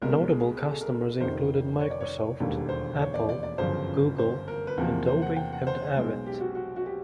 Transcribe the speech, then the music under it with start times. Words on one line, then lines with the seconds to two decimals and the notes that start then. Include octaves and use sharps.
Notable customers included Microsoft, Apple, Google, Adobe and Avid.
0.02 C2 B2 G#3 A#4
0.32 G#4
0.61 G#4
0.71 A4
0.81 A#4
1.20 F1 F2 C3 D#3 C5
1.80 C#5
1.91 D5
2.01 C#5
2.40 E1 D#2 D3 G3
2.69 C5
2.99 C#5
3.14 D5
3.29 D5
3.43 D5
3.58 G1 F#2 C#3 F3 C5
4.18 C5
4.48 A#4
4.67 B4
4.77 E2 C3 F3 A#3 A#4
5.07 C5
5.22 F#5
5.36 G5
5.52 F#5
5.67 C5
5.96 B1 B2 G#3
6.26 G4
6.40 F#4
6.55 F#4
6.76 F#4
6.86 G4